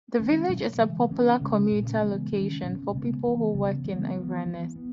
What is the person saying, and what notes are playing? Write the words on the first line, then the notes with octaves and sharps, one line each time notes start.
The village is a popular commuter location for people who work in Inverness.
D#3 G#3 C#4
B2 F#3 A#3
C#3 E3 G#3
E3 A#3 C#4
C#3 G#3 C#4
A#2 A#3 C#4
C#3 E3 G#3 B3
D#3 G#3 C#4
B2 A#3 C#4
C#3 G#3 B3
E3 B3
C#3 F#3 B3
E3 G#3 B3
E3 B3
E3 B3
B3